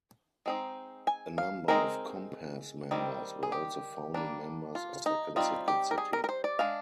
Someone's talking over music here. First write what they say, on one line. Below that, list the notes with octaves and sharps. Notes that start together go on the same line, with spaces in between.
A number of Compass members were also founding members of The Second City.
G#3 C4 D#4
G#5
F5
G#3 C4 D#4 A#4
D#3 G3 C4
G#4
G4
G3 A#3 D4
F4
D#4
G3 C4 D#4 F4
G4
A#4
G#4
A#4
A#4
C5
D5
G#3 D4 F5